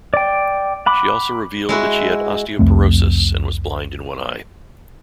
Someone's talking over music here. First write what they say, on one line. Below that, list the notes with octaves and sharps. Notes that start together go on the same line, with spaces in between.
She also revealed that she had osteoporosis and was blind in one eye.
D5 G5
F#5 B5 D6
G#3 E4 F#4
C2 F2 A3 C4